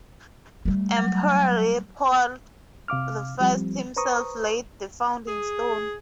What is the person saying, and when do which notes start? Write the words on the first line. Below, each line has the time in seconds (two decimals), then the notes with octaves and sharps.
Emperor Leopold the First himself laid the founding stone.
0.65 G3 A3
0.97 F#3
2.88 C3 F5 D6 F6
3.40 F3 G3 C4
3.97 B4 C5 A#5 C#6 D#6
5.27 G#4